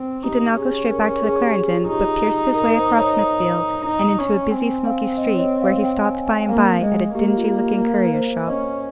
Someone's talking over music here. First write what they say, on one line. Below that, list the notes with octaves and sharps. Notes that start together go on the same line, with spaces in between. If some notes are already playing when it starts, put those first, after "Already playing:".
He did not go straight back to the Clarendon, but pierced his way across Smithfield, and into a busy smoky street, where he stopped by-and-by at a dingy-looking currier's shop.
Already playing: C4
D#4 G4
C#4 G#4
A#4
A#4
G#4
G4
G#4
F4
D#4 G4
A#4
C5
C#5
D#5
C#5
D#5
D#4
C#4
C4 G#5
F5
D#5
C#5
D#5
D#5
F5
G5
G#5
G#5
A#3 F5
G#3 D#5
A#3 G4
G4
F4
G4
A#4
C5
C#4 D#5